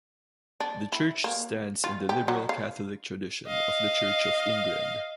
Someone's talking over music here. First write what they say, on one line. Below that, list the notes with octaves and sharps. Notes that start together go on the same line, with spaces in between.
The church stands in the Liberal Catholic tradition of the Church of England.
D4
E4
A#3
F4
G4
F#3
F5
D#5 F5